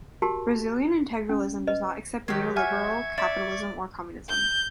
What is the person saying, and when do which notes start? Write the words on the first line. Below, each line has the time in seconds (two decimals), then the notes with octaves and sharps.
Brazilian integralism does not accept neoliberal capitalism or communism.
0.22 F#4 G4 A#4 A5 C6
1.29 C#4
1.67 B4 D#5
2.28 D#3 F#3 G4 G#6
2.56 E5 F#5 G#5 C#6 F6 G#6
3.18 D5 E5 A6
4.29 G6